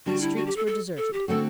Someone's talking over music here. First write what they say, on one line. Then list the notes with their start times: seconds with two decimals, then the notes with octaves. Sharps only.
The streets were deserted.
0.06 D3 G3 D4 F#4
0.21 E4
0.36 F#4
0.47 G4
0.56 A4
0.67 A4
0.97 A4
1.13 G4
1.28 D3 A3 C4 F#4 A4